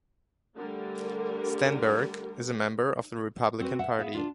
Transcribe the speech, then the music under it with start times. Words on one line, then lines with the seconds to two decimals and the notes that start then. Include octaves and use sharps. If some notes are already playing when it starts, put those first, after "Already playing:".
Stenberg is a member of the Republican Party.
0.57 D3 G3 A3 A#4
3.61 C4 F#4 B4
3.79 E5 F#5
3.99 B3 G#4 E5 F5
4.14 D4 F4